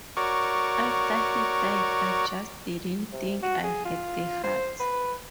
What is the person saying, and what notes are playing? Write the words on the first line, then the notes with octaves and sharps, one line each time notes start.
After he died I just didn't think I had the heart.
F#4 A#4 C#5 D5
C3
F#4
G#4
F4
C5
B4